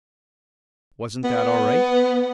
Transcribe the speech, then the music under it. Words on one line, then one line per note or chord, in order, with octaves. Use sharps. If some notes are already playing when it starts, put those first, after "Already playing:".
"Wasn't that all right?"
B3